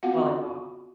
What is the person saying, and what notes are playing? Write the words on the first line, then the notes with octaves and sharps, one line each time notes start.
while I walk.
B3 C4 F4 F#4 F5 F#5